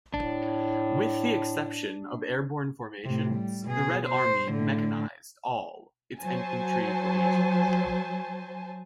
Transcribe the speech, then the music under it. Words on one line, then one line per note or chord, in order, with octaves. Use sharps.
With the exception of airborne formations, the Red Army mechanized all its infantry formations.
A2 D4
A2 C3
G3
B2 G#4
C5
A2 D3
F#3 C5 G#5 A5